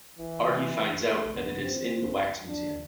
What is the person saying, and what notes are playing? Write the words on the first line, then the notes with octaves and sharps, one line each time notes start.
Artie finds out that it is in the wax museum.
E3
A3
B3
C4
C4
D4